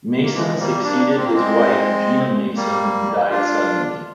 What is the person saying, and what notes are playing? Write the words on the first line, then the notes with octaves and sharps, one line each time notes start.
Mason succeeded his wife Gina Mason who died suddenly.
A#3
F3 G#3
G3 A#3
A#3 D4
D4
C4
A#3
G#3 C4
G3 A#3
D4 F4